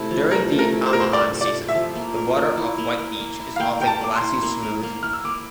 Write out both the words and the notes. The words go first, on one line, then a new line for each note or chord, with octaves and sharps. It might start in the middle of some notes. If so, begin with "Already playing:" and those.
During the Amihan season, the water off White Beach is often glassy-smooth.
Already playing: C3 A3 E4
F3
C3 A#4
A3
A#4
E4
C5
F3 A#4
C5
C3 D5
A3
D5
E4
E5
F3
A#3
A#4
A#3
E4
A#3
A#4
A#3
E4
F5
A#3 G5
A#4 G5
A5
A#3 D6
C6
E4
A#3
A#4
A#3
E4 F6
E6
A#3 D6